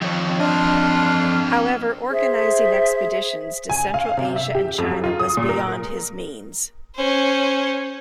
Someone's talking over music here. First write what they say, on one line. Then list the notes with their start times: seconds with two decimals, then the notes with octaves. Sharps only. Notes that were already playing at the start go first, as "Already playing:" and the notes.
However, organising expeditions to Central Asia and China was beyond his means.
0.02 F2 D#3 F3 C#5
0.39 C4 D4 F4 D#5
2.11 G#4 C5 E5
3.70 G#5
3.94 F5
4.17 C3
4.36 E5
4.55 G4
4.78 F2
4.91 F#3
5.04 F4
5.20 D#6
5.37 A#2
5.49 A#4
6.96 C#4 C5